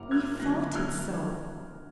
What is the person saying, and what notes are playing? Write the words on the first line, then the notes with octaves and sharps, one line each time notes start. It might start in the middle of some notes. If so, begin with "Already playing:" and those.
We felt it so!
Already playing: F#1 F#2 A#3 F#5 A#5 D6 F6
F6 G#6
D2 D3 F#3 B3 F#6 A#6
F6 G#6